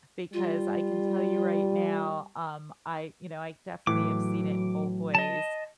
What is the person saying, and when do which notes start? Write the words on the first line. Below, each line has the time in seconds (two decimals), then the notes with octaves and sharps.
because I can tell you right now, um, I you know, I definitely have seen it in both ways,
0.33 G3 F4
3.87 A2 E3 F#3 D6
5.15 D#5 A5